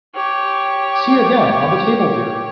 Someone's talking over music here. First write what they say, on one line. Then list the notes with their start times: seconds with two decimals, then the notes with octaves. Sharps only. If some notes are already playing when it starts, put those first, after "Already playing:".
See again, on the table here!
0.15 G4 C#5